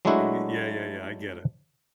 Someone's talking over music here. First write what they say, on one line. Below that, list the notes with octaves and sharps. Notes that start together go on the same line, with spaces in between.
y y yeah, yeah, yeah, I get it.
F#3 G#3 A3 D4 E4 F#4